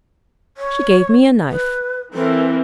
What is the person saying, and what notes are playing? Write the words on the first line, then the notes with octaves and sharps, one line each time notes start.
'She gave me a knife.'
C#5
B4
E3 C4 A4 A#4